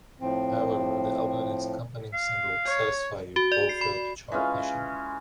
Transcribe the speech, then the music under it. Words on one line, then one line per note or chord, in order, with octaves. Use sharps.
However, the album and its accompanying single "Satisfy You" both failed to chart nationally.
A2 F3 C4
F5
C#5
F#4
D5
C7
B5
E3 G#3 C#4 F4